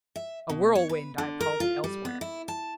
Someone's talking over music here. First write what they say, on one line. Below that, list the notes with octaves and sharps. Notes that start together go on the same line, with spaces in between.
A whirlwind I have called it elsewhere.
E5
B2
C#5
B4
D3
A#4
F4
G3
B3
E4
A5